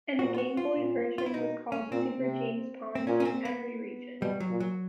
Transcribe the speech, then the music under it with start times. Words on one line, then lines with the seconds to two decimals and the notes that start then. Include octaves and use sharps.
And the Game Boy version was called "Super James Pond" in every region.
0.19 A#2 F#4
0.34 F4
0.38 F#4
0.57 F4
0.77 A#2
1.18 F4
1.26 E4
1.34 B2 D#4
1.72 C#4
1.92 A#2 C4
2.20 C3
2.95 C4
3.07 A#2 C#4
3.20 C#4
3.25 C4
3.45 B3
4.21 B2 G3
4.40 F#3
4.50 A#2
4.60 F#3